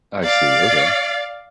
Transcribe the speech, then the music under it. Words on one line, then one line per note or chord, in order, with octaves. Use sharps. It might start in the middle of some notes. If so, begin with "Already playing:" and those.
I see, okay.
D5 F5